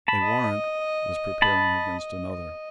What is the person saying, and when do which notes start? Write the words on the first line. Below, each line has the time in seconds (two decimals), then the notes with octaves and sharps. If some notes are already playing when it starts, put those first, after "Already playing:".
A warrant was preparing against another.
0.08 A5 B5
0.22 D#5
1.42 D#5 A5 B5
2.33 D#5